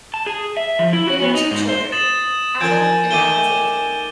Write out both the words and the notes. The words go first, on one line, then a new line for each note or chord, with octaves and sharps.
They have two children: Adam and Alexandra.
A5
G#4
E5
F3
E4
F#4
B3
D#4
G#2
C5
D#6 A6 E7 F#7
F3 A#4 G#5 G6 G#6 D7
D#3 A3 D6 D#7 G7